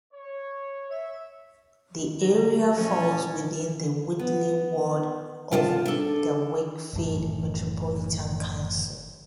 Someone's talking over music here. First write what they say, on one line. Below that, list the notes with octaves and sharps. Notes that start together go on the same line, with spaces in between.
The area falls within the Whitley Ward of the Wakefield Metropolitan Council.
C#5
E5
D3 A#5
A#2 F3 C#4 A5
B3
C3 F4 D5 A5
D4 A4
F#1 A2 E3